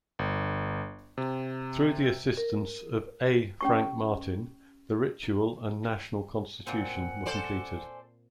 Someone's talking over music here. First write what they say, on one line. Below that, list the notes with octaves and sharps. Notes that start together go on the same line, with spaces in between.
Through the assistance of A. Frank Martin, the ritual and National Constitution were completed.
G1
C3
A#4
C#4 G4 C#6
A#2 A#3 C4 F#5 G#5
A4 C5 D5